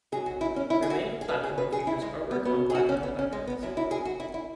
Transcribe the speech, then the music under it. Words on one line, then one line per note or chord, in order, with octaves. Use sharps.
The remaining platform features artwork on black metal backgrounds.
G#2 F#3 G#4
F#4
E4
C#4
E4
G#4
F#4
G#4
B2 F#3 B4
G#4
B4
G#4
E4
G#3
B3
F#2 F#3 B3
G#4
F#4
C#4
B3
C#4
G#3
B3
F#2 F#3 E4
E4
G#4
F#4
E4
E4